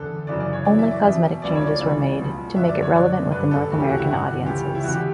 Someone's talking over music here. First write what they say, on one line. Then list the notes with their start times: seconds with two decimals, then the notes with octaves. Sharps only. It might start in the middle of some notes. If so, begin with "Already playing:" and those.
Only cosmetic changes were made to make it relevant with the North American audiences.
Already playing: E2 D3 A4
0.27 F#2 C#3 E3 D5
0.40 D5
0.53 C#5
0.65 F#2 E3 D5
0.79 E5
0.91 D5
1.03 E2 B2 E5
1.42 C#2 B2 D5
1.55 C#5
1.61 D5
1.79 C#2 C#3 E3 D5
2.17 C#2 B2
2.56 F#2 D3 E5
2.69 D5
2.82 C#5
2.94 F#2 D3 D5
3.31 G2 D3 B4
3.51 A4
3.69 D2 C#3 E3
3.80 G4
3.89 F#4
3.98 E4
4.08 G2 D3 F#4
4.45 C#2 C#3 E3 G4
4.75 E4
4.84 E2 D3 F#4
4.93 G4